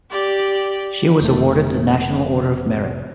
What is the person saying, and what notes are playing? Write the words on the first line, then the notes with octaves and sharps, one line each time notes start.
She was awarded the National Order of Merit.
G4 D5
F1 A3